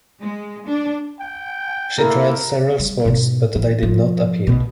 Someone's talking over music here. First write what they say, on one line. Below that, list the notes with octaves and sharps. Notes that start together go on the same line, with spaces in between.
She tried several sports but they did not appeal.
G#3
D4
G5
A#3 E4 A4 A#4
G3
G#2 B2
E3
F3
B1 B2